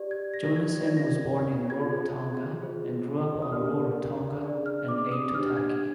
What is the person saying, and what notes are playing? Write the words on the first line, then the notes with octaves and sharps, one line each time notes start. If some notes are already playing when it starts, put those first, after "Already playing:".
Jonassen was born in Rarotonga and grew up on Rarotonga and Aitutaki.
Already playing: G4 D5
G#6
A#6
A#6
G#6
F4 A#4 D5 A#6
G#6
A#6
F4 G#4 C5 G#6
F4 G#4 C5
D#6
D4 G4 A#4 D5 F6
D4 G#4 D5
F6
D6
D#6
D4 G4 C5 F6
G#6